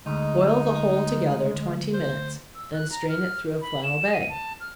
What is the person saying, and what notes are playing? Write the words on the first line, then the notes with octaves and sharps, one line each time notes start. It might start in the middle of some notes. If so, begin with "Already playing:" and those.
Boil the whole together twenty minutes, then strain it through a flannel bag.
D2 G#3 D#4
C5
E6
F#6
A#5
F6
B5
E7
D#7
A5
F6